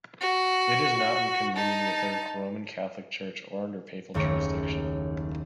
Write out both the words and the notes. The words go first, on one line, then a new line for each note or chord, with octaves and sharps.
It is not in communion with the Roman Catholic Church or under papal jurisdiction.
F#4
D#4 A5
F#1 D#2 A3 C#5 A#5